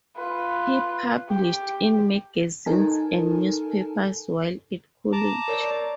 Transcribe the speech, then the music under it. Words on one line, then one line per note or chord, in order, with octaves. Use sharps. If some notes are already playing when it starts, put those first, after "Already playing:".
He published in magazines and newspapers while at college.
F4 B4
G4
D#4 A4 A#4 G#5 A5
A5 A#5 D6
A#4 C#5 D5